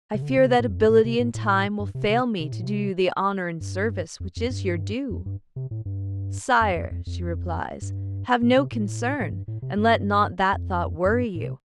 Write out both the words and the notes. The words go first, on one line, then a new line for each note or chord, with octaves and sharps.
I fear that ability and time will fail me to do you the honour and service which is your due." "Sire," she replies, "have no concern, and let not that thought worry you!
C3
D3
C3
D3
C3
A2
F2
G2
A2
C3
A2
A2
G2
C3
C3
C3
A2
C3
G2
F2
F2
G2
F2
G2
C3
A2
G2
F2
F2
F2
F2
G2
A2
C3
A2
A2
G2
A2
C3
G2
F2
F2
G2
A2
C3